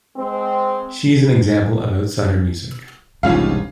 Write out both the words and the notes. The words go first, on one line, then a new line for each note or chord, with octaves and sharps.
She is an example of outsider music.
G#3 C4
E1 C2 G#2 C#4 F4 F5